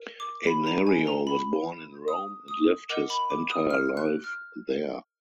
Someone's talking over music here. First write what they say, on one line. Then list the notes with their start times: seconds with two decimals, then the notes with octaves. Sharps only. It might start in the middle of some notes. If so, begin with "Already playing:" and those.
Anerio was born in Rome and lived his entire life there.
Already playing: A#4
0.20 D6
0.47 B5
0.67 A#5
0.87 G#5
1.07 A#5
1.27 B5
2.08 D#6
2.48 D#6
2.89 A#4 D#5 F#5 D6
3.10 B5
3.30 D6
3.50 D#6
3.70 F6
3.97 F#6
4.24 F6